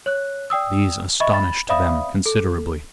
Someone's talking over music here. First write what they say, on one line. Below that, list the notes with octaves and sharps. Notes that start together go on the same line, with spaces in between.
These astonished them considerably.
C#5 F#6
D5 G5 D#6 E6
D#5 E5 B5 C#6
B5 A6
C5 D5 E5 F5 B5 D#6
A4